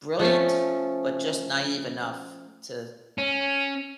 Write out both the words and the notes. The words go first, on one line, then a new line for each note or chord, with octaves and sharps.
brilliant, but just naive enough to
F3 A3 C#4
C#4